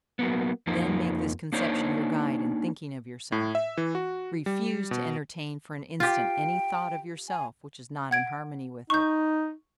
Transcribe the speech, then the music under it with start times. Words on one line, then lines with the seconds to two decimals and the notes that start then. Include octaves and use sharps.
Then make this conception your guide in thinking of yourself; refuse to entertain for an instant any thought of yourself which is not in harmony with it.
0.19 F#3 A#3 B3
0.67 F2 F3 A#3 D#4
1.52 A#3 D4 D#4 C5 C#5
3.32 A2
3.55 E5
3.77 E3
3.95 F#4
4.46 G3
4.91 B2
6.00 F4 G4 G5
7.29 G#5
8.11 F#5 G#6 D7
8.90 D#4 C#6 G6